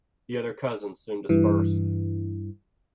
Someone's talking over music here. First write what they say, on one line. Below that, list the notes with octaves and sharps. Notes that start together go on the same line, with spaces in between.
The other cousins soon disperse.
G2 E3